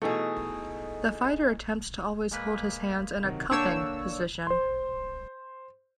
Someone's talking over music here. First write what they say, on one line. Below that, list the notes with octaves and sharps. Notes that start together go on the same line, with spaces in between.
The fighter attempts to always hold his hands in a "cupping" position.
B2 E3 A3 D#4 G#4 A4 D#5
G#3 A#3 B4
C3 D#3 F#3
D3 A#3 D4 C#5 G5 E6
C5 C6